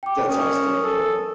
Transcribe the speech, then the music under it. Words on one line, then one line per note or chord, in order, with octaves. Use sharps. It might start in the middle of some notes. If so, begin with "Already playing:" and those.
that's how I still look at it.
G5 D6
C#4 A#4 D#6
A4